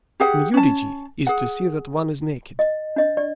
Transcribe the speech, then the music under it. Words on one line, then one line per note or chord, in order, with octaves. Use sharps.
Nudity is to see that one is naked.
G4 G#4 F#5
C#4 A5
G#4 F#5
D#5
D4 D#5
D5